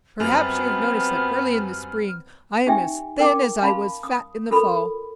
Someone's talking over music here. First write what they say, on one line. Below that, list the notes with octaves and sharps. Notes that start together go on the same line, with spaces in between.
Perhaps you have noticed that early in the spring I am as thin as I was fat in the fall.
F#2 G3 B3 C4 F6 F7
D#4 G4 E5 G5 G#5
A#4 G5 A5 D6
F5 A5 B5 C6
D#6
F4 A4 A#4 B5 C6